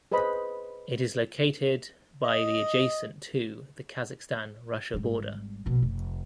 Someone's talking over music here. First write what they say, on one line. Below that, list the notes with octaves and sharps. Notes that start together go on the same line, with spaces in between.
It is located by the adjacent to the Kazakhstan–Russia border.
G#4 B4 C5 D#5 B5
D#5
G#1 G3
A#1 B2
F1